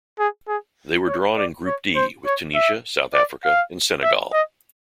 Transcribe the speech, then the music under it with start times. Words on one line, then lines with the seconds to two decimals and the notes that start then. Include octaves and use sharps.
They were drawn in Group D with Tunisia, South Africa and Senegal.
0.19 G#4
0.48 G#4
1.07 C#5
1.37 D5
1.66 C#5
1.96 C5
2.26 C#5
2.55 E5
3.14 D5
3.44 F5
4.03 E5
4.33 D#5